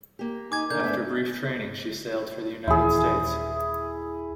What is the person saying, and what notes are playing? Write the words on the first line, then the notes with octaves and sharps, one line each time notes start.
After brief training she sailed for the United States.
A#3 G4
D#4 G#5 D6 G#6
D3 D#3 A#4 G6
G#2 A3 B3 D4 E5
D#1 D#2 E3 E4 G#4